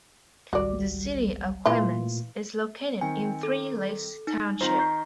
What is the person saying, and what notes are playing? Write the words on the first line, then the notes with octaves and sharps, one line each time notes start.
The city of Clements is located in Three Lakes Township.
G#1 C#2 G3 F#4 D5
A#2 E3 A3 F4
D#3 C4 G5 G#5
A4
D#4
D#3 C4 F4 C5
C#6 G6 C7